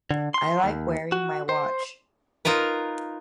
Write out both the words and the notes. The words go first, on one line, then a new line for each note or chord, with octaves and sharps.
I like wearing my watch.
D3
C6
D#2
F#4
C5
D#4 F4 A#4 B4